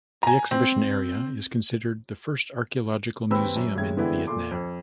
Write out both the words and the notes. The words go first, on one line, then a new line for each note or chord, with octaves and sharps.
The exhibition area is considered the first archaeological museum in Vietnam.
G#5 A#5
C4
D#2 C4 B4 B5 E6
F#2
D#2 A2 G#3 C#4 G#6
D3 E3 G#3 B3 C4 E4
A#2 A4 C6 D6
F2